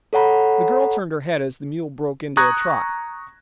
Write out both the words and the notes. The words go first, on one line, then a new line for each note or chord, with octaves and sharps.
The girl turned her head as the mule broke into a trot.
A4 C#5 F#5 A#5 B5
A#5 C#6 D#6 F#6 G#6 A#6